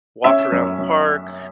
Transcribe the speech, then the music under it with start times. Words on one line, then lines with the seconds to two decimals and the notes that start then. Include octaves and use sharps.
walk around the park,
0.24 C#4 E5
0.52 F#2
0.78 F#2